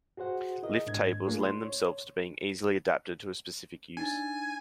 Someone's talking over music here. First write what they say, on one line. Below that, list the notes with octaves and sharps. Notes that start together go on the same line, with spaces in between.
Lift tables lend themselves to being easily adapted to a specific use.
F#4 G#4 C5 F#5
E4 G#4 A#4 D#5
G#2 D4 G#6
A3 A#3 D4 F4 G#4 A#4
C6
C#5
D4 D#4 G#5 A6